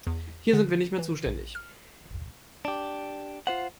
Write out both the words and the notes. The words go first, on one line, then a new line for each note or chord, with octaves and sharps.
Hier sind wir nicht mehr zuständig.
E2
D3
E3
A#1
F6
D4 G4
F4 C5 F#5